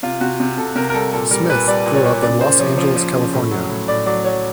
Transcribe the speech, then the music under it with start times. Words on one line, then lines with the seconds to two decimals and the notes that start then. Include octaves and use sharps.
Smith grew up in Los Angeles, California.
0.03 C3 F4
0.20 C3 F#4
0.40 C3
0.58 C3 A4
0.76 C3 A#4
0.90 A#4
0.94 G3 A4
1.13 A#2 A4
1.31 G3 A#4
1.50 A#2 B4
1.68 G3 D5
1.86 A#2
1.95 C#5
2.05 A#2
2.22 C#3 D5
2.41 C#3 C5
2.59 F3 C#5
2.78 F3
2.96 F3
3.15 C#3
3.33 A2
3.51 F#3
3.69 A2
3.88 A2 D5
4.06 F#3 D5
4.25 F#3 C#5